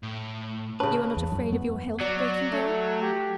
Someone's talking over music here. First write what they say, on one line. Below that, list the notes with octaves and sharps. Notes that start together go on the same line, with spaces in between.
"You are not afraid of your health breaking down?"
A2
C#3 C#4 B4 A5
E2
F#2
B3
F#3 D5
A3
G4